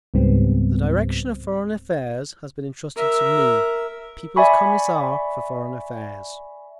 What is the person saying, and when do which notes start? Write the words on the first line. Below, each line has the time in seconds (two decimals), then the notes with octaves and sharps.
The direction of Foreign Affairs has been entrusted to me, People's Commissar for Foreign Affairs....
0.14 C#2 G#2 G3 B3 C4
2.96 A#4 E5
4.36 D5 E5 G#5 B5 C#6